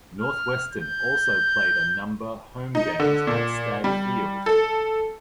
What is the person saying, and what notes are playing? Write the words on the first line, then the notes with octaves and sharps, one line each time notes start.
Northwestern also played a number home games at Stagg Field.
F6
G6
D#4
D3
A#2
G3
A4